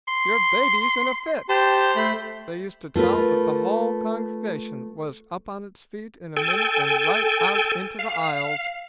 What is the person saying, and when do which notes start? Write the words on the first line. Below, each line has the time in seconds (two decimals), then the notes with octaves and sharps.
'Your baby's in a fit!' They used to tell that the whole congregation was up on its feet in a minute and right out into the aisles.
0.08 C6
1.49 G4 C5 A5
1.96 A3 B5
2.95 A3 F4 A#4 B4
6.37 A4 G5 G#5
7.99 F5